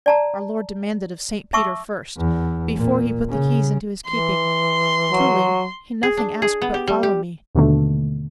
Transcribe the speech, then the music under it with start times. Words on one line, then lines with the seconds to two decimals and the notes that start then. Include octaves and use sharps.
Our Lord demanded of Saint Peter first, Before he put the keys into his keeping? Truly he nothing asked but 'Follow me.'
0.06 D5 A5 A#5
1.53 E5 A5 C#6 D6 E6
2.17 E2
2.75 A#2
3.29 C#3
4.06 E3 C6
5.11 F#3
6.03 G#4
6.17 D4
6.42 G#4
6.62 B3
6.74 G4
6.88 G3
7.03 G4
7.55 D#2 B2 D3 A3